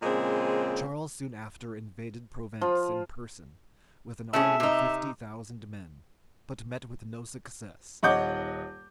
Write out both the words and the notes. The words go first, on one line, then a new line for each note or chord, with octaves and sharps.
Charles soon after invaded Provence in person, with an army of fifty thousand men; but met with no success.
A#2 C#3 F3 G#3 C4 G#4
F3
A2 C#4 G#4 E5
C3 D#4
D#1 C#5 D#5 F#5 D6 G6